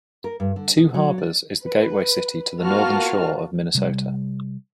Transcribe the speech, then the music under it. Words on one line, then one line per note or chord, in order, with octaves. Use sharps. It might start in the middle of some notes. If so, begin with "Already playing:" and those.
Two Harbors is the gateway city to the Northern Shore of Minnesota.
A#4
G2
D3
B2
F#3
D5
B4
A#3 B3 F4 F#4 A5 F6
C3 G3